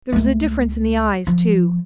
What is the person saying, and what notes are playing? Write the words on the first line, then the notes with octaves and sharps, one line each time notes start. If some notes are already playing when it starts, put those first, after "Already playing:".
There was a difference in the eyes, too.
C#2 A3
F3